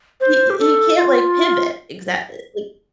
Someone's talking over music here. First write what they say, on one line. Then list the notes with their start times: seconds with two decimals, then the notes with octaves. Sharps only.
he he can't, like, pivot, exact like
0.21 C5
0.50 G4
0.59 A4
0.97 F4